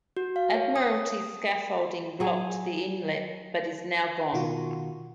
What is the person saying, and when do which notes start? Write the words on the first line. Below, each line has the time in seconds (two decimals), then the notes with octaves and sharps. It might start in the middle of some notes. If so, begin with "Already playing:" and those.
Admiralty scaffolding blocked the inlet, but is now gone.
0.17 F#4
0.36 F5
0.54 C#5
0.76 D#6
2.20 F#3 G#4
4.33 B2 D#3 F4 F#4